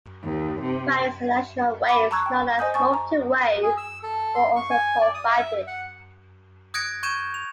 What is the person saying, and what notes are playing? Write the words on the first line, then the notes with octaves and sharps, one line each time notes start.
Various additional "waves" known as "multiwave" were also provided.
D#2
C3
B5 D6
A5 A#5 C#6 E6 F#6 G#6
G5
C5 D#5 G#5 D#6 G6
G#5 A5 C#6 D#6 A6
A#5
G#4
E6
A4
C6
C#6
G#5
D5
D#6
E5
F#5
D#6 F#6 G#6 A#6 C#7 D7
C#6 G6 G#6 D#7 E7
F7